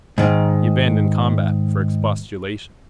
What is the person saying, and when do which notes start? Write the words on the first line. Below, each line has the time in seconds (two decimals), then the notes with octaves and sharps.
He abandoned combat for expostulation.
0.18 G#2 D#3